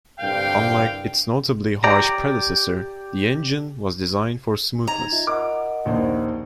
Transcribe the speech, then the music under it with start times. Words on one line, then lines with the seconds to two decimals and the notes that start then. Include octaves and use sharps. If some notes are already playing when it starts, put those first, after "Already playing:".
Unlike its notably harsh predecessor, the engine was designed for smoothness.
0.20 C2 G2 D3 F5 G5
1.84 G4 D5 A#5
4.87 D#4 A#5 G#6 A6
5.12 F4 D#5 E5
5.27 A#4 D#5 F#5 D6
5.85 A#1 D#2 C5